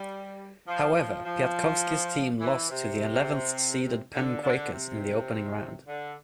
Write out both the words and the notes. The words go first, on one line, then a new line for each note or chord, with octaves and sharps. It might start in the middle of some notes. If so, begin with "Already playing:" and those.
However Piatkowski's team lost to the eleventh seeded Penn Quakers in the opening round.
Already playing: G3
F3
F3
F3
E3
C3
D3
D3
C3
D3